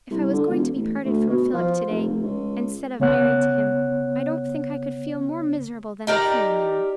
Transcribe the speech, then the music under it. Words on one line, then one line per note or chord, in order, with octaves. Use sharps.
If I was going to be parted from Philip to-day, instead of married to him, I don't think I could feel more miserable than I feel now.
C2
D3
E1
A1
D2
B2
F3
F1
F1
C#2
C#3 B3 C#5 F#5 F#6
D#4 G4 A#4 D5